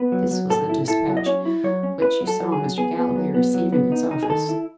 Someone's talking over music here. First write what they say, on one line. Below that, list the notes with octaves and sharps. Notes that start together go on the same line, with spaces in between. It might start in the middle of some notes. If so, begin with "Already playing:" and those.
This was the despatch which you saw Mr. Galloway receive in his office.
Already playing: B3 B4
F#3
F#3
A2 A4
E4
E4 A4
F#3
D#5
C#4 C#5
E4
F#3 C#5
C#4
E4 B4
F#3
A4
F#3
G#4
F#3
B3 G#4
B3
F#3
B3
F#3
B3
D#4
D#4
G#4
D#3 A4
E4